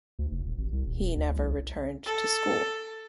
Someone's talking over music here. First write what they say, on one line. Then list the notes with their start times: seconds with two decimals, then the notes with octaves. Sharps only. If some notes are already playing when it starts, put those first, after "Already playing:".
He never returned to school.
0.19 D2
0.31 F1
0.46 D#1
0.58 G#1
0.72 C2
0.86 D#1
1.00 D#1
1.16 D2
1.36 C2
2.06 A4